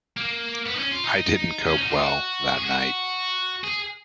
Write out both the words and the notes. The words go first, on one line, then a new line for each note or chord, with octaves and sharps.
I didn't cope well that night.
A#3
B3
D#4
C#4
F4
D#4
C#4
D#4
F#4
F4
F#4
G#4
F#4
G#4